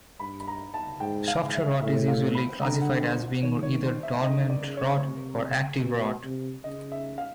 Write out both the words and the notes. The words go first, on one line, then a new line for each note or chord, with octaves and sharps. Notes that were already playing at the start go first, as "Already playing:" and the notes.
Software rot is usually classified as being either dormant rot or active rot.
G2 B5
B5
A#5
A5
G#2 G5
F5
G#2
E5
A2 E5
F5
B5
D3 A#5
F#5
C5
D#3 C#5
C#5
C5
E5
D3 D#5
D5
C#3
C#5
C5
C#5
C3
B2
C3
C#3 D#5
E5
F5